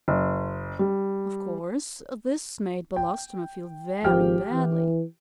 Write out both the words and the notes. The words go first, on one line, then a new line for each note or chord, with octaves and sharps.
Of course this made Belostoma feel very badly.
F#1
G3
G5
G#1 F3 G4 G5 F6
E3